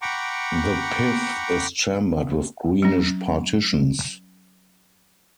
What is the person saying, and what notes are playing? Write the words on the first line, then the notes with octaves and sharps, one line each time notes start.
The pith is chambered with greenish partitions.
F#5 G5 A#5 B5 C#6 D6
F#3 C#4